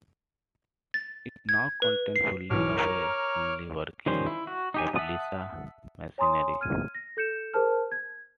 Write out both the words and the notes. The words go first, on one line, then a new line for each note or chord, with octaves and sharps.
It now contains fully operational, working replica machinery.
A6
G#6
B4
C7
B1 E3 C#5 D6 F6
A#4 A#5
D#3 F3 G3 C#4 C5
E4
F#4
D#4 G4 G#5
E5 F#5 A5 D#6
C#5 G#5 A#5 C6 D#6
F6 G#6 D#7
A#6
A4 G6 C#7 E7
G#4 A#4 C5 A5 F6
G#6